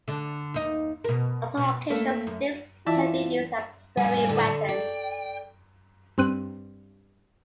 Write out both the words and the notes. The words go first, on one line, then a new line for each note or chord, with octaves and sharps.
On some occasions, sticks can be used as throwing weapons.
D3 D4
D#2 D#4
B2 A#4
B2
A3 A#3
F#2
E3 E4 F4 D5 E5 A5
A2 G3 G#5
D3
D5 G5
G2 C4 F#6 D#7